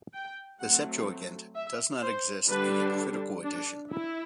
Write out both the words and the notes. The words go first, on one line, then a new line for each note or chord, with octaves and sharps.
The Septuagint does not exist in a critical edition.
G5
F#3 A3 C4 F#5
E5
C5
D3 G3 D4 B4
D4
E4